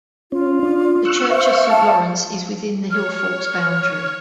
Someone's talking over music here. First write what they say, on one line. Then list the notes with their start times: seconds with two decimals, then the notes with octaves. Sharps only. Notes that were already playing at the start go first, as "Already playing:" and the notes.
The church of Saint Lawrence is within the hillfort's boundary.
0.32 C#4 F4
0.63 D4
1.05 C#6 E6 F#6
1.30 C5 E5 F5 C#6
1.69 A5
2.90 C#5 F6